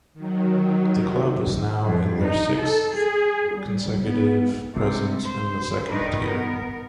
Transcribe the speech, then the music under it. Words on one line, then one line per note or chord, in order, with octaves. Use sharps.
The club is now in their sixth consecutive presence in the second tier.
D#3 F#3
F2
D#4
A4
G#4
G3
B3
C3 G3 G#3
C5
G2 D#3 D4 D#4 A#4 B4
B3 A#4